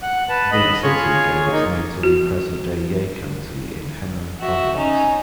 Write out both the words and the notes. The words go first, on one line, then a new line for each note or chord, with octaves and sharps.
The city gave its name to the present-day Ye County in Henan Province.
F#5
B4 A5
D#2 D#5 B5
F4 G#4 C#5 C#6
A#3 D#4
F#4
F#4 E5
C#4 D#4